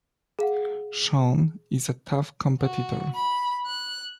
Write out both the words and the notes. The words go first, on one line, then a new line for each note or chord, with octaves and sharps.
Shawn is a tough competitor.
G#4 F5 F#5
F#4
B5
F#6